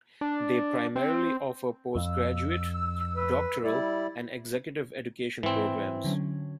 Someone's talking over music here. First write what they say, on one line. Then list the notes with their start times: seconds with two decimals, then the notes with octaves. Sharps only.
They primarily offer postgraduate, doctoral and executive education programmes.
0.21 D4
0.96 C4
1.96 F2 E6
3.16 B4
3.64 G3 E4 D5
5.43 G#2 E3 C4
6.04 D3 F#3 C#4